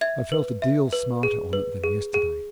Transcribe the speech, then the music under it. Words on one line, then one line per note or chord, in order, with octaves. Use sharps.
I felt a deal smarter on it than yesterday.
E5 G#6
B4
E5
B4
G#4
B4
G#4
G#4